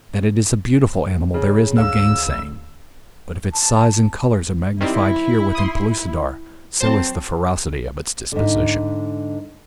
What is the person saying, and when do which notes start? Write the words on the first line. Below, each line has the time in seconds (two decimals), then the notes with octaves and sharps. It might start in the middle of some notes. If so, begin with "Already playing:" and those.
That it is a beautiful animal there is no gainsaying, but if its size and colors are magnified here within Pellucidar, so is the ferocity of its disposition.
1.34 C#3
1.78 D2 F5 E6
3.53 A5
4.81 D#3 G3 C4 E4
5.55 C6 D#6
6.80 F#3 C4 C5 A5
8.32 G#2 D3